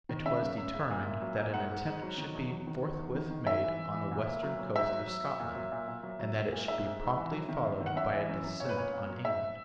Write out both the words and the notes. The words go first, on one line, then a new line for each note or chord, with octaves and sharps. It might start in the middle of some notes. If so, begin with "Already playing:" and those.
It was determined that an attempt should be forthwith made on the western coast of Scotland, and that it should be promptly followed by a descent on England.
D#3
C#3 E5
F#2
F#2
C#3
A#2
A#2
F#3
A#2
G#2 F#5
G#2
G#2
F#3
D#3
E2
F#3
D#3
D#3
E2
D#3
D#3
G#2 E5
E3
E3
E3
A#2
A#2
F#3
F#3
G#2 E5
F#3
F#3
F#3
A#2
F#3
A#2
A#2
F#3
F#3
F#3
A#2
G#2 E5
G#2
G#2
E3
F#3
D#3
F#2
D#3
F#5
F#2 E5
E3
F#2
F#2
A#2 C#5
B4
A#2 C#5
A#2
F#3
G#2 E5